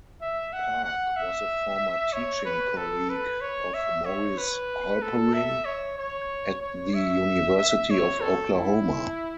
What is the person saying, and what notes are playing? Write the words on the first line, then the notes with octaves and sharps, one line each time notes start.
Park was a former teaching colleague of Maurice Halperin at the University of Oklahoma.
E5
F#5
F#5
E5
C#5
B4
A4
B4
C#5
E5
C#5
B4
A4
E5
C#5
C#5
C#5
E5
E5
C#5
A4
E4